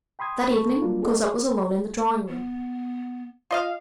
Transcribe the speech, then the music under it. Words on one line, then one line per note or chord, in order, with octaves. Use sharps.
That evening, Cosette was alone in the drawing-room.
G5 B5 C6 D#6 G#6
E2 C4 A4 B5 C#6
F#3 G3 A#3 D4 F4
C4 G#4 A4 C5 D#5 F#5
G#4 C#5
B3
F4 D#5 F5